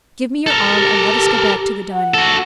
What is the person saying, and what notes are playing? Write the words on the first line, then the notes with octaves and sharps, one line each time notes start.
Give me your arm and let us go back to the dining-room.
A4 A#4
G4
F#5
F#4 A4